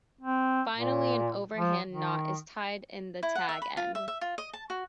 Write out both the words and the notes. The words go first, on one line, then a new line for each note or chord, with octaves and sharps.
Finally, an overhand knot is tied in the tag end.
C4
A#2
F3
D#3
E4
F#5
E5
B5
F4
E5
E5
F4
D#5
A5
F#4